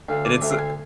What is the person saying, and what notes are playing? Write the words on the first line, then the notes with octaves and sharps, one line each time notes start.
and it's uh,
D2 F5
D5
D2 E5
F5
G#5